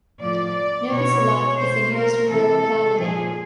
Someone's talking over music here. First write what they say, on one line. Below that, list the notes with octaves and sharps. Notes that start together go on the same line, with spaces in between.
Novy Sulak is the nearest rural locality.
A2 F3 D5
B2 C#5
B2 C5
A#4
C3 E3 A4
A#2 F3 G#4